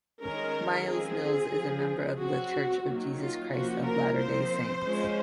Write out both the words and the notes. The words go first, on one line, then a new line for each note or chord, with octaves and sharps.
Myles-Mills is a member of The Church of Jesus Christ of Latter-day Saints.
D#3 G#3 C#4 A#4
F3 C4 G#4
F3 C4
F#3 C4 F#4
D#3 F#3 A#3
F4
F3 A#3 C#4 F#4
A#4
F3 C4 C5
F3 G#3 C#4